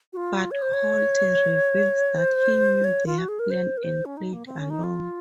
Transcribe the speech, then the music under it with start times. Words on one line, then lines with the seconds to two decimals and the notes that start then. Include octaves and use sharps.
But Holt reveals that he knew their plan and played along.
0.13 F#4
0.17 F4
0.51 C#5
0.62 C5
0.73 C#5
2.18 C5
2.84 C#5
3.06 F4
3.18 F#4
3.28 G#4
3.39 A#4
3.50 C5
3.77 A#4
3.83 C5
4.05 C#4
4.17 D#4
4.33 A#3
4.46 C4
4.58 C#4
4.70 D#4
4.84 F4